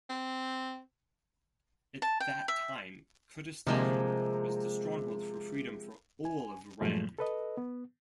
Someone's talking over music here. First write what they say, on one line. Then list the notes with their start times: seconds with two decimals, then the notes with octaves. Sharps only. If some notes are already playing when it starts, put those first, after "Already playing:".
At that time, Kurdistan was the stronghold for freedom for all of Iran.
0.09 C4
2.02 A5
2.20 G5
2.48 E5
3.67 C3 F3 G#3 A#3
6.25 G#5
6.81 G2 A#2 F3 F#3 G#3 A3
7.19 A4 B4 D#5
7.57 B3